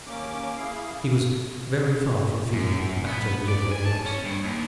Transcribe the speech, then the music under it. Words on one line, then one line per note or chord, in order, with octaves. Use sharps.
He was very far from feeling that the battle was already lost.
D#2 A#3 C#4 D6
E4 G#4 F5
F#2
B3
D5
G#5
A5
C#4
G2
D#2